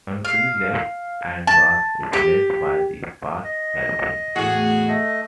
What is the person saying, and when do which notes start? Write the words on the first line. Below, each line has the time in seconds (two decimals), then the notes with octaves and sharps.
Ansley left and was replaced by Pat Calpin.
0.25 F5
1.47 A5
2.13 G4
3.44 D#5
4.36 E2 A2 F#4 G#4
4.88 A3 D#5